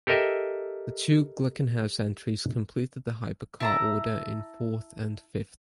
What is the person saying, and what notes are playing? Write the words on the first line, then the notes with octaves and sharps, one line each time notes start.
The two Glickenhaus entries completed the Hypercar order in fourth and fifth.
G4 A4 A#4 D#5 E5 G5
E4 A5 A#5